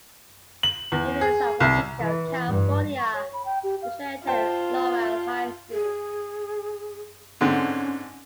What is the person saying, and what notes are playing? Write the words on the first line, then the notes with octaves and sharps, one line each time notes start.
Living in San Francisco, California, Meschery attended Lowell High School.
F#7
E2
G#4
C2
E3
G2
C#6
C#5
B5
G5
G4
F5
F4 C5 G5 A5
G#4
G#2 D3 C4 C#4